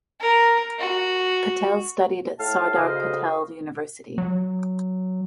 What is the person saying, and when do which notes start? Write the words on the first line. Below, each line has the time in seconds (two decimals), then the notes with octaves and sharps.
Patel studied at Sardar Patel University.
0.21 A#4
0.79 F#4
2.39 A2 A3 F5 A5 F6
2.74 D2 A2 C#3 C5 D#5 F5
4.18 F#3